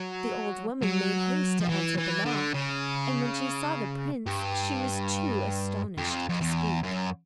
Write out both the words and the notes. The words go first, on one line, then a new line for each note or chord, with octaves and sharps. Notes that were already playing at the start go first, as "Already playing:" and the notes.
The old woman made haste to answer the knock and when she saw the prince she was too astonished to speak.
Already playing: F#3
F#3
F3
E3
E3
D3
C#3
G2
F2
F2
E2
F#2